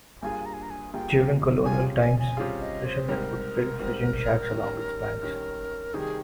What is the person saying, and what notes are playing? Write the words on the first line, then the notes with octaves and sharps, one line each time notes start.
During colonial times, fishermen would build fishing shacks along its banks.
G2 G3 A#3 F4 G#4 G#5
A#5
G#5
A#5
G#5
G2 G3 A#3 F4 G#4 G5
C3 G3 C#4 F4 G#4 G#5
G#5
G#5
C3 G3 C#4 F4 G#4
D#5
C5
G#2 G3 C4 G4 A#4
G#2 G3 C4 G4
D#3 G3 C#4
D#3 G3 C#4
C3 D#3 G3 G#4